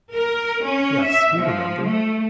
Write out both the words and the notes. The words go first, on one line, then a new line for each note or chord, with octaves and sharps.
Yes, we remember.
A#4
C#4
E5
F3
A3